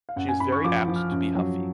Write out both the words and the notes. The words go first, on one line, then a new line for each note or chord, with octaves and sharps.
She is very apt to be huffy.
F5
F#2 F#5
G#5
F#2 B5
C#6
F3 D6
F3
F6
F#2
F#3